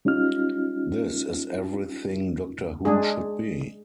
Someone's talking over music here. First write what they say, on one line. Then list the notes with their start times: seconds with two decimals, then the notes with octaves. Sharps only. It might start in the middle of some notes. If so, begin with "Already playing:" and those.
This is everything "Doctor Who" should be.
0.05 G3 C#4 D#4 F4 F6
2.85 G#3 D4 G#4